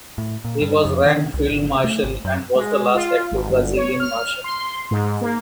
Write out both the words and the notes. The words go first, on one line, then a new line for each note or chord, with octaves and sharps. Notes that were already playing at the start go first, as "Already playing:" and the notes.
He was ranked Field Marshal and was the last active Brazilian marshal.
A2
A#2
G2
F2
D#3
C2
G#1
A3
G#1
F#2
G#3
F4
G#1
G1
C#5
F6
C6
G#2
A#3